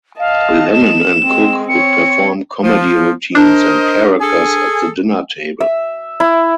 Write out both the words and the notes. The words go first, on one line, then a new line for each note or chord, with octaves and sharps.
Lennon and Cook would perform comedy routines and characters at the dinner table.
D#5 F5 A5
E7
G#3 C4
C4 C#5 C#7
F3
D4 A#4 C5 D#5
G#4 A4 G#5
E5
E4